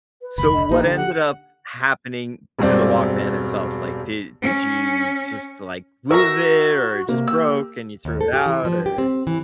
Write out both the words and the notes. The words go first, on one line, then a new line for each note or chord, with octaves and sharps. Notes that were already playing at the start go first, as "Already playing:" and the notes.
So, what ended up happening to the Walkman itself? Like, did did you just, like, lose it or it just broke and you threw it out? Or
B4
F1 D2 B5
D#5
A#1 A#3 D#4 G4
D3
F#5
E1 G2 C4 D5
C#4
F#4 A#4 E5 A#5 C#6
C3 A#3
G4 E6
D#2
A4
G4
E3
F3
G4
C4
E3